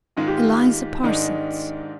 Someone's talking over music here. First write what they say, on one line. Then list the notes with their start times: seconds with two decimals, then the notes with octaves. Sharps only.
"Eliza Parsons."
0.17 G#2 D#3 G#3 D#4 F4
0.28 G4
0.37 F4
1.03 G#2 D#3 G#3 D4 D#4